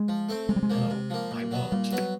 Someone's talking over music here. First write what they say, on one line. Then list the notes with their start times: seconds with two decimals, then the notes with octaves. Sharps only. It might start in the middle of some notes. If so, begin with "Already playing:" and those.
No, I won't!
Already playing: G#3
0.08 F3
0.29 A3 C4
0.49 C3 G#3
0.56 G3
0.63 G#3
0.70 F3 A#3
0.90 C3
1.10 F3 A#3
1.31 A#2
1.51 F#3 B3
1.71 A#2 G3
1.92 F#3 B3